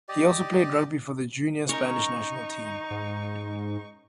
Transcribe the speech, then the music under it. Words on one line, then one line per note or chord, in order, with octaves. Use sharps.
He also played rugby for the junior Spanish National Team.
G4 D5 D#5
C#4 D#4 A#4 C#5 C#6
G#2